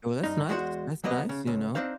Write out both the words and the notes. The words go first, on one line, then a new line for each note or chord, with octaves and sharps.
Well, that's nice that's nice, you know,
G2 D#4
E2 G#3 F#4 C5 F#5
D2 F#3 A#3 B3 D#5
C#3
C#2
C4 D4 D#4 C5 F5